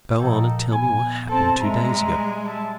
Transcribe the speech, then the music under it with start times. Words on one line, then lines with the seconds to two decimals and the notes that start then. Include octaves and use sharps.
But go on and tell me what happened two days ago.
0.20 A#2 F3 D#4 A4 G5
0.72 B3 G#5
1.28 C4 A4 C5 A5
1.60 G3 G#3 E5 A#5
2.45 E5 A5